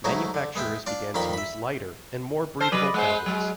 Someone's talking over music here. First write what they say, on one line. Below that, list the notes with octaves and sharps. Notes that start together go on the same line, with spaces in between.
Manufacturers began to use lighter and more breathable fabrics.
G#2 F#3 A3 E4 D#5
D3
G#3 B3 E5 G5
D4 F4 D5
F2 A#2 D#3 F5 B5 C6
E5 B5
A4 C5 F6
F#3 B4 D5 D#5
G#3 B3 C5 F#6
F#3 G#3